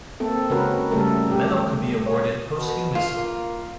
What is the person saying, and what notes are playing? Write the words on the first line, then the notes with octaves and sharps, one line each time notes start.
The medal could be awarded posthumously.
A#3 C4 A4
C#3 G#3 C#4 F#4 A#4 B4
C#3 G3 A3 A4 A#4
G4
C#5
B2
F4
A#3